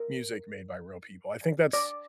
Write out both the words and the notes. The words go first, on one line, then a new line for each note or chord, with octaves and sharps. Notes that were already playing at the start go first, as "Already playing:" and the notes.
music made by real people. I think that's
Already playing: A#4
D5